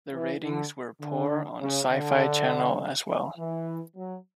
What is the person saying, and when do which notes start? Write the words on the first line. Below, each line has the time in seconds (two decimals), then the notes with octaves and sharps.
The ratings were poor on SciFi Channel as well.
0.14 E3
0.43 D3
1.01 D3
1.60 C#3
1.90 D3
3.38 E3
3.95 F#3